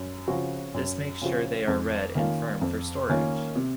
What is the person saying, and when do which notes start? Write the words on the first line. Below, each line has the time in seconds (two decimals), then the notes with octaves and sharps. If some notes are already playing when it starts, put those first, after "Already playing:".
This makes sure they are red and firm for storage.
Already playing: F#2
0.28 C#3 F3 C4 F#4
0.74 F#2
1.22 C#3 F3 C4 F#4
1.68 F2
2.15 D#3 A#3 C#4 F4
2.61 F2
3.09 D#3 A#3 C#4 F4
3.55 C3